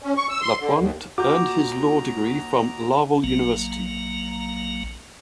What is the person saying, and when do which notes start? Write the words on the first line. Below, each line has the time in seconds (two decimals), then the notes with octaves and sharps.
Lapointe earned his law degree from Laval University.
0.02 C#4
0.17 C#6
0.29 E6
0.41 C6
0.60 D3
0.79 D#2
1.18 D#2 F4 F#4 A#5 D6 G6
3.24 A#1 F#3 A#3 A#5